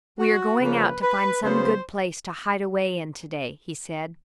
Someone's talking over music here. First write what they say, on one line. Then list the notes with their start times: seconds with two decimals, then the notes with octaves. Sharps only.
"We are going out to find some good place to hide away in to-day," he said.
0.19 F#4
0.60 C#3 F3 A#3 C#4 B4
1.02 B4
1.43 C#3 F#3 B3 C5